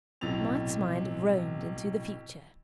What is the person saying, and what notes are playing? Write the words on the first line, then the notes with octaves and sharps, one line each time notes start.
Mike's mind roamed into the future.
B1 A2 C3 A6 F7